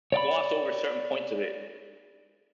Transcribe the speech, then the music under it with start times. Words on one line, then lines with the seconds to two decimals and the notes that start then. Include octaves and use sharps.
gloss over certain points of it,
0.12 C#5 D5 F5 B5